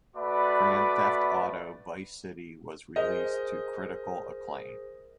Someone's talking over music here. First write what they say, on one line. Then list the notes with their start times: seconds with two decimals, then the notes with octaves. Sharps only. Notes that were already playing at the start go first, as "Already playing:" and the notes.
"Grand Theft Auto: Vice City" was released to critical acclaim.
0.16 A3 F#4 B4 D5 B5 D6
2.96 G#4 A#4 C5 D#5